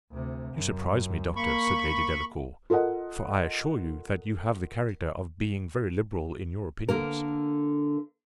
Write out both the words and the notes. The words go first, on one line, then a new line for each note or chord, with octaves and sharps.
"You surprise me, doctor!" said Lady Delacour; "for I assure you that you have the character of being very liberal in your opinions."
D2 C3
F#2
A#3 B5 C#6
F4 A4 A#4 D#5 F#5
D3 A#3 A#4